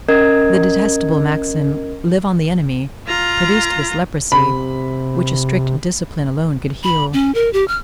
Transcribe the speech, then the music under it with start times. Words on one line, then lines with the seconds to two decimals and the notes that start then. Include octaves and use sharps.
The detestable maxim, Live on the enemy! produced this leprosy, which a strict discipline alone could heal.
0.09 C#4 A#4 D#5 G#6
3.07 F4 A#5
4.32 C3 B5
6.83 B5
7.13 C#4
7.35 A#4
7.53 G4
7.68 F6